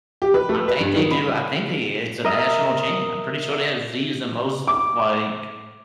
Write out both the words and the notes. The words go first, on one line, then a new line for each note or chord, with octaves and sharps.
I think they do, I think they it's a national chain, I'm pretty sure they have Zea’s in most, like,
G4
B4
A3
B4
G2
D#3
B5
A#4 D#5 E5 A#5 F6
D6